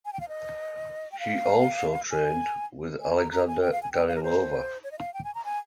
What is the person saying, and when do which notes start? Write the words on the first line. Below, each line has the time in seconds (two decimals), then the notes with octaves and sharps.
She also trained with Alexandra Danilova.
0.05 G#5
0.13 G5
0.20 F5
0.28 D#5
1.12 G5
1.20 F5
2.11 G#5
3.01 G#5
3.17 A#5
3.32 A#5
3.47 G#5
3.62 G5
3.72 F5
3.83 G#5
3.92 G5
4.08 F5
4.16 A#4
4.23 C5
4.84 C#5
4.91 D#5
4.99 F5
5.14 G5
5.24 G#5
5.35 A#5
5.45 G#5